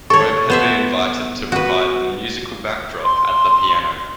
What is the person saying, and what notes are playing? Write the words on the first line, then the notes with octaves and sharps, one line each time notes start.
Webb had been invited to provide the musical backdrop at the piano.
A4 C#5 C#6
B3 C5 E5
F#4 B4
C6